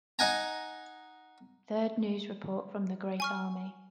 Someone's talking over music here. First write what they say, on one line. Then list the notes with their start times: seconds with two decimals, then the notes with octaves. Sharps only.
Third news report from the great army.
0.19 D#4 F#5 G#5 A#5
3.20 G#5 C#6 F6